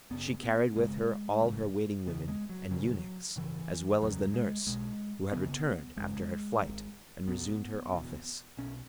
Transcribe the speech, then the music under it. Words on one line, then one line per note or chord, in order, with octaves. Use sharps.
She carried with her all her waiting-women and eunuchs, as well as the nurse, who had returned, after her flight, and resumed her office.
F#1 F#2 C#3 B3
B3
G#1 F#2 C#3 G#3
G#1 F#2 C#3
F#1 F#2 C#3 B3
G#3
F#3
E1 E2 C#3 F#3
G#1 F#2 C#3 E3
F#1 E2 C#3 F#3
G#3
B1 B2 G#3
F#1 F#2 C#3 B3
G#1 F#2 C#3 G#3
G#1 G#2
B1 B2 B3
F#1 E2 B2
B1 B2 C#4